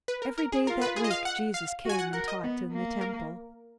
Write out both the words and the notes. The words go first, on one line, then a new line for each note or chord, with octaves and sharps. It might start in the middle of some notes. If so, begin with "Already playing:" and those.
Every day that week, Jesus came and taught in the Temple.
B4
A#4
A#4
G#4
F4 A#4
B4
G#4
D#5
F5
F#5
F5
F#4
G#5
F#5
A#4 F#5
D#5
B3
A#3
A#4